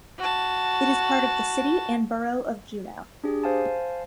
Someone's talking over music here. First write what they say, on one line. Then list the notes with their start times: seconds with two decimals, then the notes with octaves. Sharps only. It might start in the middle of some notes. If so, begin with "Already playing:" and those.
It is part of the City and Borough of Juneau.
0.18 F#4 A5
3.24 D4 G4 G#4
3.43 C5 F5 G#5 A5